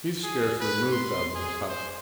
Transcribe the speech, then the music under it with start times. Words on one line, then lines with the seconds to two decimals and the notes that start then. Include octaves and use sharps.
He scarcely moved out of his hut.
0.23 G#4
0.61 B4
0.92 C6
1.35 G#4
1.69 C5